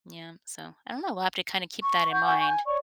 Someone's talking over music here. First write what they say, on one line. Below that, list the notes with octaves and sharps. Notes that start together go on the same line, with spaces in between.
Yeah, so I don't know, we'll have to kinda keep that in mind.
C#6
F#5 C#6 G6
G#5
C#5 D5 C#6